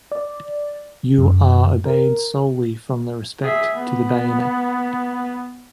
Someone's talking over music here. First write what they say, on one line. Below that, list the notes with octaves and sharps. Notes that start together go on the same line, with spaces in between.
You are obeyed solely from respect to the bayonet.
D5
F#2
A#4
G#4 E5
B3